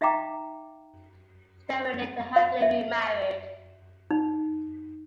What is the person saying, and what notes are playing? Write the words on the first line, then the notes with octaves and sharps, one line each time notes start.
Steinway later happily remarried.
D#4 E5 F5 G5 A#5 D6
F5
E5
D#4